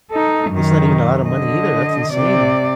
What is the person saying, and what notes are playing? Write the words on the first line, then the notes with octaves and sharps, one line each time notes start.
That's not even a lotta money either, that's insane.
D#4 A4
F#2 D#3
D3 D#5
C3 D5